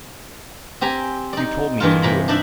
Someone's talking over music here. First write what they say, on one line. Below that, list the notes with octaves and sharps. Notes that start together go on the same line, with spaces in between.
"You told me to do it."
C4 G4 G#5 A#5
D#4 D5
G2 E3 G#3 A#3 F4
C3 A#5 B5
D4 D#4 D5 E5